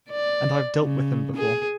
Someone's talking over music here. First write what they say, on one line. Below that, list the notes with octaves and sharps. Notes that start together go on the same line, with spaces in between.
And I have dealt with him before.
D5
C#3
G#4